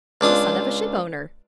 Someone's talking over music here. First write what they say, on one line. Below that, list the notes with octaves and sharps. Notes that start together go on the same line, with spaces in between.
"The son of a shipowner."
C#2 D4 F4 D#6